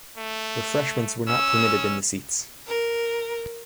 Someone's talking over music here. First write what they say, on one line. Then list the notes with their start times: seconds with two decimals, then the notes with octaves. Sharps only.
Refreshments were not permitted in the seats.
0.17 A3
1.28 C#4 E6
2.67 A#4